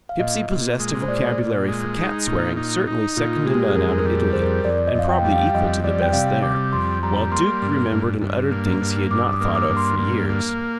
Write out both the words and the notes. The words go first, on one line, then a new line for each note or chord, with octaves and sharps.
Gipsy possessed a vocabulary for cat-swearing certainly second to none out of Italy, and probably equal to the best there, while Duke remembered and uttered things he had not thought of for years.
F5
A#2 D#5
A#2
G#3
C5
A#2 D5
A#2
G#3
D#4
A#2
D#4
D#4
A#2 F4
G#3 G4
G#4
F2 A#4
G#4
A#4
G3
G#4
F2 C5
A#4
F2 D5
D#5
F2 F5
G5
G3 G5
F5
F2 D#5
G3 D5
G5
C3 F5
G3 D6
F2 C6
G3 A#5
A#3 C6
G2
G2
G2
A#3
G2
G2 D6
D#6
A#3
D6
G2
C6
A#3
A#3